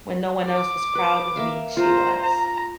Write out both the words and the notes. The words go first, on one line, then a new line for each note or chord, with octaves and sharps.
When no one else was proud of me, she was.
D6
B4
A#3 E5 F5
F4 C5 A#5
A#5